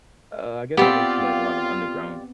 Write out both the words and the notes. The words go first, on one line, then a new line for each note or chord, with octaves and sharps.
Uh, I guess I listen to, like, a lot of underground
B3 C4 F4 G4 D5